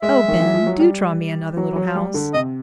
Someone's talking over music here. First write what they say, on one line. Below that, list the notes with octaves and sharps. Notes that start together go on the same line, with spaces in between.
"Oh, Ben, do draw me another little house!"
G#3 E5
D#3
E3
F3
F#3
G3
F#3
F#3
G3
D3
C3 D#5